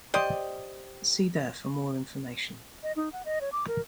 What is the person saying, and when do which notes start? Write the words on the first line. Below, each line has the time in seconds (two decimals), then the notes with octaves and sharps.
See there for more information.
0.14 G4 C5 D5 D#5
2.83 D#5
2.96 D#4
3.13 F#5
3.25 D#5
3.41 C#5
3.52 D6
3.68 A#4